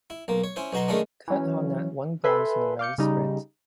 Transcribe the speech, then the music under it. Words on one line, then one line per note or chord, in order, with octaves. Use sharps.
Curt Harnett won bronze in the men's sprint.
E4
B1 A#3
C#5
C#4 E4 C5
B1 B2 F#4 A#5 C6
D#3 G#3 A3 C#4 D4
E3 F#3 C#4
A4 B4 E5 G#5 B5 C6
F5 D6 G6 C#7
C#3 G3 D#4